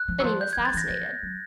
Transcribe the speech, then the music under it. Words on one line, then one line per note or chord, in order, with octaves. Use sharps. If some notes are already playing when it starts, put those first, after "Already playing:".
Benny was fascinated.
Already playing: F#6
F3
F#3
F3
G6
G#6
F3
A6
E3 A#6
F3 A#6
F#3